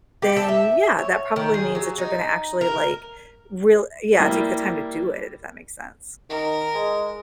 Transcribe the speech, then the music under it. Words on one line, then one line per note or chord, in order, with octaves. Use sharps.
then yeah, that probably means that you're gonna actually, like, real yeah, take the time to do it, if that makes sense?
G4
A4
E5
C#5
D#3
G#4
F#3
D#4
A#4
G3 A#3 E4
D#3 A#4
G#3